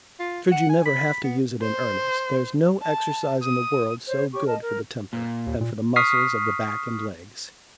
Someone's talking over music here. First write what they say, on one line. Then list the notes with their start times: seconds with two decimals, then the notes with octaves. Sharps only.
Should you never have to use it in earnest there's no exercise in the world so good for the temper, and for the muscles of the back and legs.
0.19 F4
0.52 F#5
0.69 G#5
0.85 B5
1.23 B3
1.61 C5
2.82 A5
3.42 D#6
4.07 C5 C#5
4.33 G4 C#5 C#6
4.47 A#4 D#5 A5
4.61 A#4
5.13 A#2
5.47 D#2
5.61 A#2
5.96 C#6 D#6 F6 B6 C7